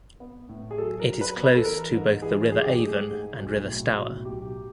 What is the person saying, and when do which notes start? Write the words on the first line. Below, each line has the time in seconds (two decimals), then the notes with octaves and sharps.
It is close to both the River Avon and River Stour.
0.20 B3
0.49 A2
0.71 G#4
0.78 F#3 A4
1.00 A#4
1.07 F#3
1.21 B4
1.36 B3
1.43 B4
1.56 A4
1.65 E3 A#4
1.94 G#2
2.22 E3 G#4
2.52 G#2 G#4
2.62 G4
2.73 G#4
2.80 A3
3.10 G#2
3.38 B1
3.67 A2
3.96 B1
4.25 B1 G4